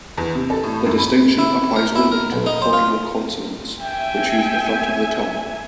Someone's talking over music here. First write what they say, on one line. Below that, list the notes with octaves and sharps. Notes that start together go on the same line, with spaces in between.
The distinction applies only to coronal consonants, which use the front of the tongue.
E2
C3
A4
A2
F#2
B5
E4
A#4
E4
A#4
B1
D#4
C5
F4
E5 G5 G#5